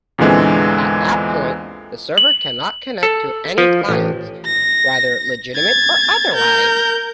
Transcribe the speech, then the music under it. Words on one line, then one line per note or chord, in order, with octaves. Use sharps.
At that point, the server cannot connect to any clients, whether legitimate or otherwise.
E2 A#2 D3 E3 G#3 C4
F#7
A4
F3
A1
A#6
G#6 A6
A#4 G6